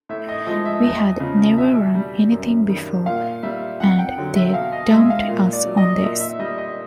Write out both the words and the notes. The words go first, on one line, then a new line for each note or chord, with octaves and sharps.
We had never run anything before, and they dumped us on this.
A2 E5
D#5
F3 G#3 D#5
E5
E2 D#5
C#3 F3
B2 E5
G3
F#2
D#3 G3
A#2 F5
G3 E5
F2 F#5
G5
D3 F#3
E5
B2 F5
D#5
G#3 E5
F5
A#2
D5
F#3
D#5
A#2 E5
E5
G3 D#5
D#5